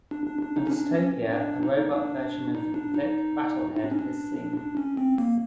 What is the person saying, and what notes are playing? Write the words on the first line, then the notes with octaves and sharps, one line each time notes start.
On "Dystopia", a robot version of Vic Rattlehead is seen.
D4
D4
D4
D#4
C#4
D4
C#4
D4
D#4
D#4
D4
D#4
D4
D#4
D#4
D4
C#4
D4
D4
D4
C#4
C4
A#3